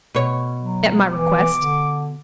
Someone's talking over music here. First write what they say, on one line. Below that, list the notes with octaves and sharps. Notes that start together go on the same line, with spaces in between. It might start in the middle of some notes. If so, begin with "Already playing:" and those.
At my request.
B2 C#5
F#3
E3 D6
D3